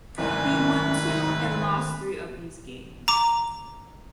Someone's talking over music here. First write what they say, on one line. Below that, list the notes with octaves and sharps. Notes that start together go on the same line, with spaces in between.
He won two and lost three of these games.
F#1 C2 G#2 D#3 A3 C4 B4 G#5
A#5 D6